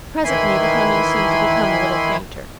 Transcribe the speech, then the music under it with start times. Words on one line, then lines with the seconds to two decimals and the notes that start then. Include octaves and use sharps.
Presently the humming seemed to become a little fainter.
0.24 D#3 E3 E4 G#5 B5 C6